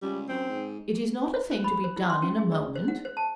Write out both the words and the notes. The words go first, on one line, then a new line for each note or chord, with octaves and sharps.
'It is not a thing to be done in a moment.'
C#2 G3
F#2 C4
G#2
C5
B5
C5
E4
C6
C#4
G#4
D5
C5
F#5
C5
A5